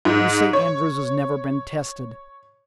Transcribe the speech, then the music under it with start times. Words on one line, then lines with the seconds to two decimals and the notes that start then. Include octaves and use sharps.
You say Andrews has never been tested.
0.05 G#2
0.53 C#5